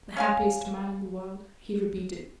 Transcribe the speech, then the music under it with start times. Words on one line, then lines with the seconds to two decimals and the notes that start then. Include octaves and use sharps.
"The happiest man in the world," he repeated.
0.17 C#4 F5 G#5